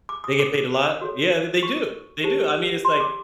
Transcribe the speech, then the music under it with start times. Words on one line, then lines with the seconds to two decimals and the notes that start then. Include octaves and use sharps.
They get paid a lot? Yeah, th they do. They do, I mean, it's like
0.09 D6
0.24 D#6
0.40 D6
1.01 F#4 A4 C#5
1.63 C#6
2.24 D#4 G4 C5
2.85 C6
3.00 D6